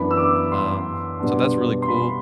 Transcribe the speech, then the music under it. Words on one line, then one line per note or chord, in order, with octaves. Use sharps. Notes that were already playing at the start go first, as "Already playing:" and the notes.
um, so that's really cool
Already playing: F#2 E3 B3 D4 B5
E6
D6
C6
B2 G3 B3 D4
C6
B5